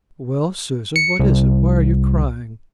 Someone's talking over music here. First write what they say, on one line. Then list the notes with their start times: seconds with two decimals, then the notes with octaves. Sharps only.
'Well, Susan--what is it?--why are you crying?'
0.96 C#7
1.20 C2